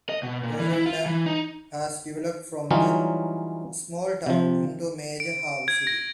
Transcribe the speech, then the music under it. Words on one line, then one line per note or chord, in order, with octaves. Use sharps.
Rotterdam has developed from a small town into a major harbour city.
D#5
B2
A#2
E3
E4
F4
E3
D#4
E3 F#3 G3 C#4 D#4 F4
C3 F3
D7
G#6
A#6